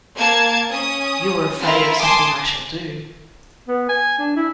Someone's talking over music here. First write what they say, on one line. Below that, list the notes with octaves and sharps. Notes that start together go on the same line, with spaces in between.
You are afraid of something I shall do.
A#3 A5 G#6
C#4 D#6
E4 F4 A#4
G#5 A5 C6 D6 D#6
B3
G#5
D4
E4